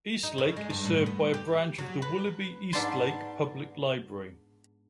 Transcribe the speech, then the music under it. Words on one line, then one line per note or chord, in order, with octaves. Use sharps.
Eastlake is served by a branch of the Willoughby-Eastlake Public Library.
D#4
C#3
G#3
G2
A2
B3
G4
F#3
B4
G#2 B3 D4 D5 A5 C6